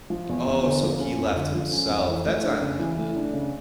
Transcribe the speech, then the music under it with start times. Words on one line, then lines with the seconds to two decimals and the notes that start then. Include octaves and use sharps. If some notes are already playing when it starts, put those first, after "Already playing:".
Oh, so he left himself, that's on him, then.
0.10 F3
0.29 E2
0.47 E2
0.64 D3
0.83 F3
1.00 C#4
1.18 F2
1.36 D3
1.55 F3
1.72 C#4
1.90 F2
2.08 E3
2.26 A3
2.44 D4
2.61 C#3
2.79 E3
2.98 A3
3.16 D4
3.33 C#3